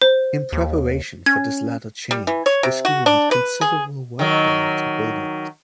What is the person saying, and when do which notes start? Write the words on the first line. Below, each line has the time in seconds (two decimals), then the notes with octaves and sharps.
In preparation for this latter change, the school had considerable work done to buildings.
0.02 C5
0.53 D#2
1.26 C#4 G#6
2.11 G3
2.27 E3
2.46 C#5
2.63 C3
2.85 F#4
3.06 D4
3.31 B4
3.61 G#4
4.19 D#3 F#3